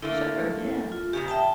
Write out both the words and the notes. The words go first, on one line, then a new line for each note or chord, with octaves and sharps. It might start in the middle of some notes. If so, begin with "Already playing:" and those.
Sure, yeah.
D3 A3 A#3 E4
F4
F2 A#2 C#3 G4
E5 G5 A5